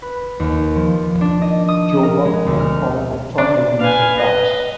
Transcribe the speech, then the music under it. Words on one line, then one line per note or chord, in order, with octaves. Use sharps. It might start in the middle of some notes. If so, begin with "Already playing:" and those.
Joe Buck made the call with Troy Aikman for Fox.
B4
D#2
F3
D4
D#5
D#6
A#4
G#3
D2
F6
D4
B4 F5 G#5
D#5